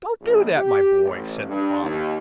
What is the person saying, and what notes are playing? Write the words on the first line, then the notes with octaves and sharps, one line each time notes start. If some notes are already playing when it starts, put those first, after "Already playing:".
"Don't do that, my boy," said the father.
A#1
G4
A1
G2
D#2